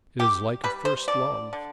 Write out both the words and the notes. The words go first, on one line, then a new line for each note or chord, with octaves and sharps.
It is like a first love.
G3 G4
G3 B4
C5
D3 D5
D3